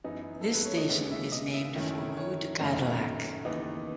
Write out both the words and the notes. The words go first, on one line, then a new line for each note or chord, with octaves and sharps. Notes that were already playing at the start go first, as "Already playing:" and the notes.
This station is named for rue de Cadillac.
F#2 E3 B3 D#4
A4
B4
C#5
D#5
D#2 C#3 G#3 B3 E5
E5
D#5
E5
F#2 D#3 A3 C#4 E4
C#5
F#2 D#3 A3
D#2 C#3 E3 B3 D#4